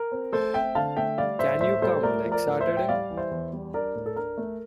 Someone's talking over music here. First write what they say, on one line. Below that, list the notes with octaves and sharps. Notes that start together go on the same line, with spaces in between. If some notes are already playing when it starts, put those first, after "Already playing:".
Can you come next Saturday?
Already playing: A#4
C4
A3 A4 C5
C4 E5 G5
D3 F5 A5
A3 E5 G5
G3 D5 F5
A2 C5 E5
A2 C5 E5
G3 A4 C5
A3 A#4 D5
F3
A#4 D5
A2
C5 E5
A2
G5
G3 D5 F5
E3
C5 E5
E2
G3
D4 A#4 D5
A2
A4
D4 A#4
A3